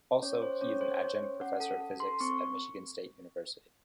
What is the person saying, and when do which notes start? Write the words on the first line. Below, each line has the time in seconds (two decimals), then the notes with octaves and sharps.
Also, he is an Adjunct professor of physics at Michigan State University.
0.22 C#4 C#5
0.42 C#4 C5
0.61 C#4 C#5
0.81 A4 C5
0.94 C5
1.01 C#4 C#5
1.21 C#4
1.41 C#4 F#5
1.60 A4
1.80 A4
2.00 A4 C6
2.20 C4 C#6